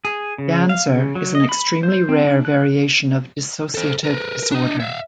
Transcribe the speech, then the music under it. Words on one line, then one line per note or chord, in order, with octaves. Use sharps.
Ganser is an extremely rare variation of dissociative disorder.
G#4
C#3
F5
C#3
F#3
D#5
B5
C5
C4
D4
F#6
A4 C5
A#4 B4
D4 D#5
E5 F5